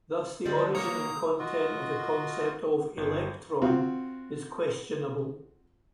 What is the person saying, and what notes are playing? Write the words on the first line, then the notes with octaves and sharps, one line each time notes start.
Thus, the origin and content of the concept of "electron" is questionable.
D3 G3 G#3
A#3 F#4 A#4 C#5 A#5 D#6
F4 F#4 D#5
G1
C4 F4 F#4